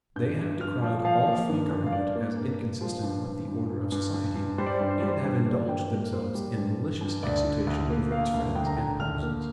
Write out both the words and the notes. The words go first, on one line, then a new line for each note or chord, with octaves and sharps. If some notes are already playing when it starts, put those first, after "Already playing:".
They have decried all free government as inconsistent with the order of society, and have indulged themselves in malicious exultation over its friends and partisans.
G2 G6
G2
G2 F6
F3
F3 F5
A#3
G2
G2
F5
G2 D5
A#3
G2
A#3
F3 C5
G2
G2
G2
G2
G2
G2
G2
G3 C5
D5
C5
G2 D5
C5
G3 D5
C5
G2
A#3 D5
G2 G5
A#3 A#4
A#4
A#3 C5
G3
G2
G2
G2
D2 D5
D3
D2
A#3
A#3 F5
D2
D2 G5
A#5
D3 G5
D2 F6
A#3